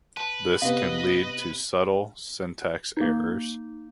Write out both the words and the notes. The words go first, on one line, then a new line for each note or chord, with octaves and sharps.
This can lead to subtle syntax errors.
B4 A5
C3 B3 D#5 F5
A#3 D#4